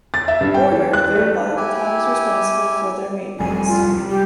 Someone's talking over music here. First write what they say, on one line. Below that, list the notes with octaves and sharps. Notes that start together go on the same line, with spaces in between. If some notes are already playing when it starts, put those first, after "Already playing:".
Order, thereby the town is responsible for their maintenance.
A6
E5
G2
G5
E3
F#6
A3
E4 G4 G#5
F1 F2 G3 G#5
F4
C2
G3
G4